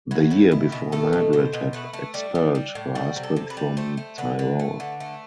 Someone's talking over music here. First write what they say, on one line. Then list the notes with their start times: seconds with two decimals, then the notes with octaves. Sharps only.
The year before Margaret had expelled her husband from Tyrol.
0.11 F#3 E4
0.31 A2
0.51 B2 E4
0.72 B2
0.92 A3 A4
1.13 B2
1.33 B2 C5
1.53 B2
1.73 A3 B4
1.93 A3
2.14 G3 D4
2.35 G3
2.55 G3
2.75 A2
2.95 G3 F#4
3.16 C3
3.23 A4
3.36 C3
3.50 B4
3.57 G3
3.77 A3 C5
3.97 A3
4.18 D3 B4
4.39 D3
4.59 A3
4.80 D3
5.00 A3